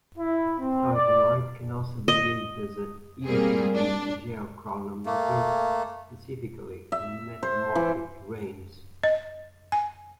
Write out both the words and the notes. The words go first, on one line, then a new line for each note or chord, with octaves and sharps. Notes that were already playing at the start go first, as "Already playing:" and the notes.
Titanite can also be used as a U-Pb geochronometer, specifically in metamorphic terranes.
E4
C4
D5
D#5
G3 A#3 C4 G#4
D4
A3 A#3
E5
C5
E3
D#5
G#5